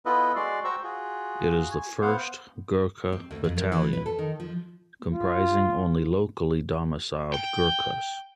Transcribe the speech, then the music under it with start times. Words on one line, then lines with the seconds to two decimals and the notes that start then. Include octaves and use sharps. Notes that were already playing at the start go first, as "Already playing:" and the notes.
It is the first Gorkha battalion comprising only locally domiciled Gurkhas.
0.06 B3 E4 F4 A4 B4 D#5
0.36 G#3 F#4 D5 C6
0.64 F#4 C5 G5 A#5 C#6 E6
0.84 F4 F#4 G#4
1.72 G#5
2.02 B3 C5 F5 F#5
3.12 C4
3.31 D2
3.44 F2
3.57 F#2
3.72 E3
3.93 B4
4.06 A4
4.19 D#3
4.40 F3
5.13 F4
7.34 G5